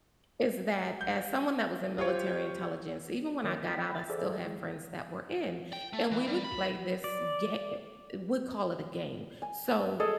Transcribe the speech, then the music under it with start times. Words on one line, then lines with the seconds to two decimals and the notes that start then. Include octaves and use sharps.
is that as someone that was in military intelligence, even when I got out, I still have friends that were in, and we would play this ga e eh, we call it a game, so
1.01 G6
1.98 F4 G4 C5 C#5
3.44 D#3 A#3 C#5 D#5
3.70 G5 B5
3.95 E5 A6
4.10 G#4 A4 C5 D5 E5
4.44 E3 G#3
5.73 G5
5.93 A3
6.12 E3
6.27 G3
6.44 B5
7.04 D5
9.42 G#5
10.00 G#4 A4 D#5